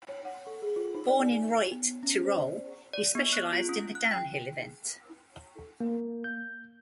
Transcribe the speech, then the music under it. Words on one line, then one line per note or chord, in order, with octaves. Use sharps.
Born in Reutte, Tyrol, he specialized in the downhill event.
C#5
F#5
A4
G#4
F4
D#4
D5
G#5
B3
C#4
C5
D5
D5
B3
F#6
F4
C#4
F#6
G5
A#3
G6